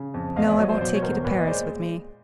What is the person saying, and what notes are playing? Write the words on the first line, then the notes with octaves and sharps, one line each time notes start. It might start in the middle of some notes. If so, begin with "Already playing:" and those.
No, I won't take you to Paris with me.
Already playing: C#3
F2
E2 D#5 F5
D5 E5
F#3 C#5 D#5
C5 D5
B2 C5 D5
C#5
E2 A#4 C5
A#2 B4 C#5
D#5
G#3 C5 D5